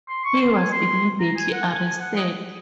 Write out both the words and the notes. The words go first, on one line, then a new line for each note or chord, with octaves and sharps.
He was immediately arrested.
C6
C#6
C6
G#5
C6
A#5
G#5
F#5
G#5
G#5
F#5
D#5